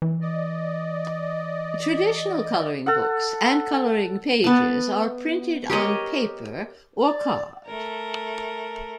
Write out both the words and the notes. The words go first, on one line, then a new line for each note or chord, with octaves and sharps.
Traditional coloring books and coloring pages are printed on paper or card.
E3
D5 D#5
A4 F#5
B3 A5
G4 A#4 C#5 D#5
D5
A3 A#4